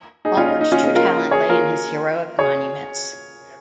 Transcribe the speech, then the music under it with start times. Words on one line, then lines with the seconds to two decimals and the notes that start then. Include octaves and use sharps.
Allward's true talent lay in his heroic monuments.
0.25 D#4 G#4
0.37 C#4 F4
0.48 D#4
0.61 D#4
0.72 C#4 F4
0.83 D#4 G#4
0.95 F4 A#4
1.31 G#4 C#5
1.49 F4 A#4
2.39 G#4 C#5